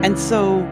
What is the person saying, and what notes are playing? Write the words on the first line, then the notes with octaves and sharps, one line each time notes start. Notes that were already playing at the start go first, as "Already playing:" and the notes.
And so,
Already playing: C#2 C#3 E3